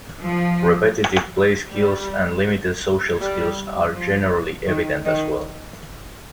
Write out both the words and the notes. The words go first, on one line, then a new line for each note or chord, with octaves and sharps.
Repetitive play skills and limited social skills are generally evident as well.
F3
G3
G3
F3
D#3
D#3